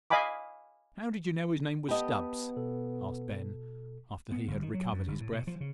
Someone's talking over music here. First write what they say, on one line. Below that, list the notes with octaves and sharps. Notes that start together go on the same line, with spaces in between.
"How did you know his name was Stubbs?" asked Ben, after he had recovered his breath.
D#5 F5 G#5 B5 D6
B3 G4 D#5 F#5 A5 B5
B2 A4
B3
G1
D#3
F#3
F#2
G1
A2
B2
F3
C#3